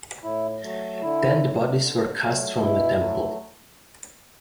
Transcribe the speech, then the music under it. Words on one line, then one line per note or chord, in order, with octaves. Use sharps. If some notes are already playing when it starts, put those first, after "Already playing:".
Then the bodies were cast from the temple.
A2 E4
F#3 A3
D3 E4
F#3 A3
D3
F#3 A3
B2 E4
F#3 A3